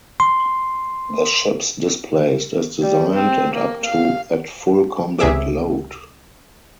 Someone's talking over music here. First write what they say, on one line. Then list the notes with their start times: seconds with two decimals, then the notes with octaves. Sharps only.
The ships displaced as designed and up to at full combat load.
0.20 C6
2.82 G3
3.13 C4
3.54 A#3
3.86 F5
5.19 C#2 C3 G#4 E5 D6